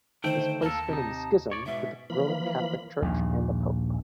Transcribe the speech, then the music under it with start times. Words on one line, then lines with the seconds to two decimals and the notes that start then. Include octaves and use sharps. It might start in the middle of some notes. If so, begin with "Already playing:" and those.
This placed them in schism with the Roman Catholic Church and the Pope.
0.24 D3 D#3 A3 D#4 C5 G5
0.62 D#2 A#3 A4 A5
0.88 C3 D#4
1.52 C#5 D5
1.66 G#2 B2 E5
2.10 E3 F3 A#3 B5
3.02 A#1 D#2 A#2